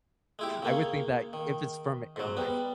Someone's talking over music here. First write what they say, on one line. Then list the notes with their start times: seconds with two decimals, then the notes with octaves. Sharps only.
I would think that if it's from a guy
0.39 G#3 E4 G4
0.62 C#3 A#3 C#5
1.33 D#3
2.16 G#2 F#3
2.37 G3 B3